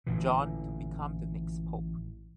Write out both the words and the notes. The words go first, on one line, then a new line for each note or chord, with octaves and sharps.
John to become the next pope.
A1 A#2 D3 E3